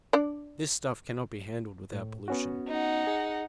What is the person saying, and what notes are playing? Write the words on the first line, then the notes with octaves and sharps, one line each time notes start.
This stuff cannot be handled without pollution.
D4 D5
A2
B3 C#4 F#4
D#4 F#5
G#4